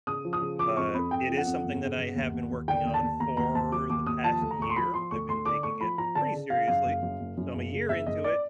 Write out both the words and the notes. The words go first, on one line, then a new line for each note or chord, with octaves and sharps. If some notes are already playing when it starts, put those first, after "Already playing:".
but it is something that I have been working on for, the past year. I've been taking it pretty seriously, so I'm a year into it,
C#3 D#6
F3
D#6
C#3
F3 D6
F2 C#6
F2 B5
F2 G5
F3
F#5
F2
G1
C#3
G1
D#2
D#2
D#2
D3 G5
D#2
A5
D#2
D#2 A#5
D#2 A#5
D#2 A5
F#3 D6
D#2 D6
D#2 D#6
F3 A5
D2
A#5
D2 C#6
C6
F3 B5
F3 C6
D2 C#6
D2 C6
D3 D6
A3 C#6
F3 B5
F3 A#5
D3 A5
C#3
C#3 F5
F#2 F5
F#1
F#2
F#1
F#2
F#1
C#3
F#1 E5
F#1 D#5
D5